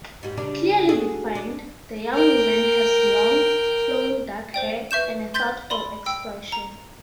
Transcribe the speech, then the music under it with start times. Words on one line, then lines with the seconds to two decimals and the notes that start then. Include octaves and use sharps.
Clearly defined, the young woman has long, flowing dark hair and a thoughtful expression.
0.23 G#2 G3
0.37 C#3 G3 D4
0.89 F#4 G#4 A4
1.35 D4
2.13 A#4 G5
4.54 C5 D5 G5
4.91 B4 E5 C#6 G6 E7
5.34 C6 G6 A6 B6 G7
5.70 D5 B5 C6
6.06 G5 E6
6.52 A#5